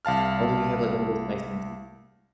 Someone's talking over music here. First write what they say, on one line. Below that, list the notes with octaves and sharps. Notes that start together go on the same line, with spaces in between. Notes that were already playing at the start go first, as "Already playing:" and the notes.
Oh, you have, like, one of those nice vintage
C2 F5 A5 F6